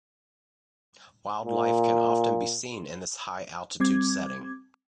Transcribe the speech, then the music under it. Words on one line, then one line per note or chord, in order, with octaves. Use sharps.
Wildlife can often be seen in this high altitude setting.
A#2
G3 C4 D6 G#6